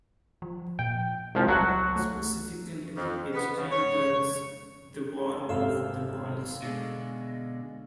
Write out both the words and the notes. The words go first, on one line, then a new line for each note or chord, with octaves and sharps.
Specifically, H. G. Wells' "The War of the Worlds".
F3
A#2 G5
C2 F3 G#3
C#2 F#3 F#4 F#5
A3
F2
B3
C#3
C#5
G#1 D#2 C3 A4 E5 F5 E6
B2 D3 G#3 B3